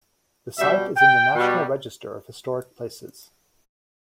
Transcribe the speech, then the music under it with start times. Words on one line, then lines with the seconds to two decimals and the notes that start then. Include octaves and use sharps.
The site is in the National Register of Historic Places.
0.58 B2 G3 E5
0.97 G5
1.35 B2 G3